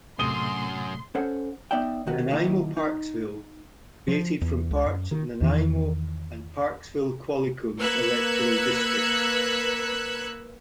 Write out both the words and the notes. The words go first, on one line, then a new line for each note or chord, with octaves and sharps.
Nanaimo-Parksville created from parts of Nanaimo and Parksville-Qualicum electoral districts.
F#2 A2 C3 A3 C6 D#6 D#7 G7
C#4 A4 C5 C#5 F#5
B3 D#4 D5 E5 G5
D#3 F#4 A#4 B4
D#3 A#3 E4
D#4
F3
E2
C#2
F#2
D#3
E2 D#3 E3
A#3 B4 E6 F#6 G#6 C#7